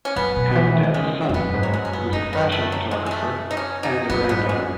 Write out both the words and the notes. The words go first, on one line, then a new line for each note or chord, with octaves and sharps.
Hammond has a son, who is a fashion photographer, and a granddaughter.
C#4
F#2 B3
B2
E3
D#3
C#3 G#3
E2
F#2 B3
G#2
F#3
F#2 G#3
C#4
B3
F#2 D#4
B3
A3
F#3
G#3
G#3
A3
D#4
C#4
D#4
F#2 B3
G#2 B3
F#2 G#3